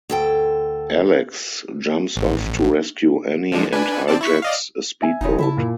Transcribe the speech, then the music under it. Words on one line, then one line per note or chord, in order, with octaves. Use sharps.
Alex jumps off to rescue Annie and hijacks a speed boat.
D2 A4 G5
A1
F3 G#3 D4
D4 B4 G#5
C4 D5 A5
E4 C#6 B6
D5 D#5 F5
E5 G#5
E1 C#3 F3 D#4
C#3 E4 E5 A5
A#2